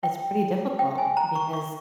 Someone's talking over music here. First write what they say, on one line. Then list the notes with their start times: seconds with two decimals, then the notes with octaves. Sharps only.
it's pretty difficult because
0.03 G5
0.79 G5
0.98 G#5
1.17 A#5
1.35 C#6
1.53 C#6